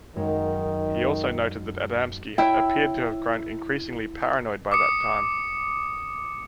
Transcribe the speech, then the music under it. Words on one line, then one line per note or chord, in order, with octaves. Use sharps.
He also noted that Adamski appeared to have grown increasingly paranoid by that time.
F#2 D#3 G#3 D#4
E4 C#5 E5 G5
D6 D#6 C#7